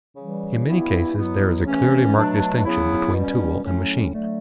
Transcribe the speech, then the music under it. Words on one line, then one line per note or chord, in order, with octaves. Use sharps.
In many cases there is a clearly marked distinction between tool and machine.
C#3 E3 G3
G2 E3 B3 E4
B2 F#3 B3 E4
C#3 E3 A3 C#4
B2 F#3 A3 D4
C#3 F#3 B3 E4
B2 G3 C#4
A2 F#3 A3 C#4
D3 F#3 A3